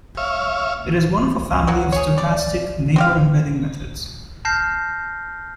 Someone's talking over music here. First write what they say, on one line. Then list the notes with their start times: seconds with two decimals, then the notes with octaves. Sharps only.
It is one of a family of stochastic neighbor embedding methods.
0.17 C#5 E5 F5
1.67 F#3 A#3 F#4
1.92 G#4 C#5
2.18 D5
2.96 C4 G4 F5
4.45 A5 F6 G6 A#6 C7